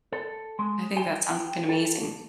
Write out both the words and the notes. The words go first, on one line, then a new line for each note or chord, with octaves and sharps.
I think that sounds like an amazing
A4
G#3
G5
A4